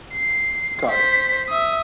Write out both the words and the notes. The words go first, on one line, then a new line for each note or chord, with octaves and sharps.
Got it.
C7
C5 B6
E5 D#6